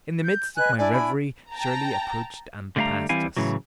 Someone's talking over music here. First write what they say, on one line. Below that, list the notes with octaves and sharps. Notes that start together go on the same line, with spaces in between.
In the midst of my reverie Shirley approached and passed us.
G6
B4 D#5 G#5 F#6
D4 E4 D5 G#5
B5
G5 A5 A#5
D3 G3 A3 E5 F5 A#5
E3 G3 C4 E4 F5 G#5
A2 C#3 E3 F#3